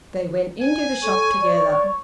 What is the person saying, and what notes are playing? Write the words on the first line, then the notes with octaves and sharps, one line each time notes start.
They went into the shop together.
G#5
A4 C#5
D5